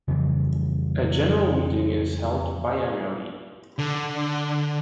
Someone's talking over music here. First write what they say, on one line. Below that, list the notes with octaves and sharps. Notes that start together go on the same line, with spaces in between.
A General Meeting is held biannually.
F2 C#3 E3 G3
D3